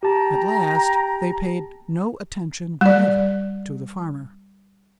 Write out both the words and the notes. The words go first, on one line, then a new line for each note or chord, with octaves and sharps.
At last they paid no attention whatever to the Farmer.
G4 G5 A5 A#5
G3 D5